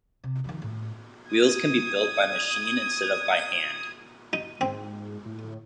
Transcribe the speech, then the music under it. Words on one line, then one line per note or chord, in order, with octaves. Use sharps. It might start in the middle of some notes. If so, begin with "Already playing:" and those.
Wheels can be built by machine instead of by hand.
C3
D#3 F3
A2
D#6 G#6
D#4
G#2 C4
A2